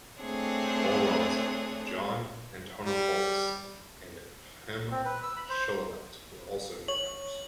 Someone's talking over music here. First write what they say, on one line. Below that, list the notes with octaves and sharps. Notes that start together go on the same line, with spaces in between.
Paul Robinson, John Antonopolous, and Tim Cholvat were also newcomers.
A3 C4 D4 G#4 C#5
G3
C4
B4
E6
B5
C5
C#5 F#7